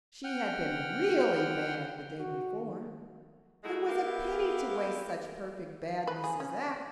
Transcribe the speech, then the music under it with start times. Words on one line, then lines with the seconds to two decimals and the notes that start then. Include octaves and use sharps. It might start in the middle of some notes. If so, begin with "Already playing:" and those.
She had been really bad the day before; it was a pity to waste such perfect badness as that.
0.24 F#5 G5 F6
2.18 F#4
2.59 D#3
3.63 F#3 G#3 A3 E4 F#4
3.88 B3 E4 G4 A#4 F5
6.07 B4
6.24 G#4
6.40 C#4